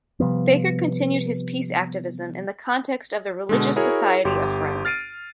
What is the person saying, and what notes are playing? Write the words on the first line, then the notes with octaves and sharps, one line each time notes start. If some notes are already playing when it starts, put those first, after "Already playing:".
Baker continued his peace activism in the context of the Religious Society of Friends.
C3 F3 G3 B3
B2 D3 G#3
E4 F#4 G#4 A#4 C#5
G1 G4 C6
F6 A6 C7 D7 D#7